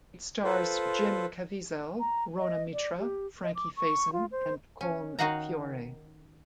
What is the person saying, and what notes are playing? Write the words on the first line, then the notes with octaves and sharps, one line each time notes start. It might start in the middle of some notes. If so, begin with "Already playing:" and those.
It stars Jim Caviezel, Rhona Mitra, Frankie Faison, and Colm Feore.
F4 A4 B4 C5
A#5
D#5
D5
G4
D#5
D6
C#6
F4
C5
C#4
D#3 D#4 F#4 F5 F#5 A#5